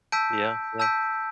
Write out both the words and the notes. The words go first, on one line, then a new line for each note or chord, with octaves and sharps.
Yeah, yeah.
A5 E6 G6 B6 D7
A5 E6 G6 B6 D7